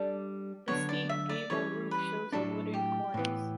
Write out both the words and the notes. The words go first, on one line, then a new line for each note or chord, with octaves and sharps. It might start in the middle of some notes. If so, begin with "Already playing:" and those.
The steep gable roof shows a wooden cornice.
Already playing: G3 D4 A4
D3 F#3 B3 C#5
D5
E5
D5
E3 G3 C#4 C#5
B4
A2 F#3 A3 D4 A4
G4
A2 E3 B3